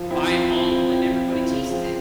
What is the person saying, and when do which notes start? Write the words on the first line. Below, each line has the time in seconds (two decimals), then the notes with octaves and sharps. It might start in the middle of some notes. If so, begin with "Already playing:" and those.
buy 'em all and then everybody taste it.
Already playing: F3
0.11 C4 E4
0.30 F3
0.51 C4 E4
0.71 F3
0.90 C4 E4
1.11 F3
1.30 C4 E4
1.51 C#3
1.71 F3 C4